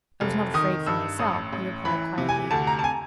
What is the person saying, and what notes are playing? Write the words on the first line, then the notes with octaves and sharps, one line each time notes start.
"I was not afraid for myself," he replied quietly.
F1
D#3 D#6
G2 E6
A1 D#6
A1
E3 B5
C3
G#5
D2 A5
A#5
A5
G#5